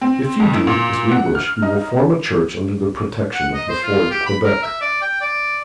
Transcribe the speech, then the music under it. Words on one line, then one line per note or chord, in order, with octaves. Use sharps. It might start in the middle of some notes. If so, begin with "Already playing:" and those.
If you do as we wish, we will form a church under the protection of the fort at Quebec.
C4
F2
E4
A#2
F#5
F6
D#4
F#5
D#5
C5
F4
G4
B5
A#4
E5
D5
G5
D5